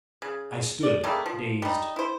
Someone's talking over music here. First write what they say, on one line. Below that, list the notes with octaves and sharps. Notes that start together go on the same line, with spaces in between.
I stood dazed.
C#3
D5
C#3 G3 A3 A#3
F3
G3 D#4
E4 C5